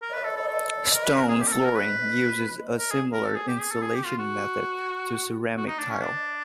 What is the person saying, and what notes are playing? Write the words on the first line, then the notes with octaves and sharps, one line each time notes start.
Stone flooring uses a similar installation method to ceramic tile.
A#4
B4
A4
A4
A4
A#4
B4
A#4
G#4
G4
A#4
A4
A#4
B4
A#4
G#4
A#4
A4
G#4
G4
G#4
A4
G#4
G4
F4
F#4
F#4
D#4
D4
C#4
D4